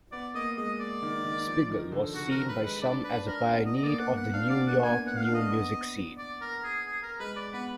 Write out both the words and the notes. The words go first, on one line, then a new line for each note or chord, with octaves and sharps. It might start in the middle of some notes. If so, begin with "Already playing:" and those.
Spiegel was seen by some as a pioneer of the New York new-music scene.
B3 D5
A#3 D#5
G#3 D#5
D5
D#3
D#3
F3
D#3
D3
D3 F#4
A#4
D3
B4
G#3
B4
D4 D5
B4
D4
A#4
B3
D#5
D#5
A#3 D5
F#5
B3 F#5
D4 F5
B3 D5
A#3 F#5
B3 G#5
B3 F#5
F5
D4
D#5
B3
D5
A#4
G#4
G#4
A#4
G#3 B4
D5
B3 B4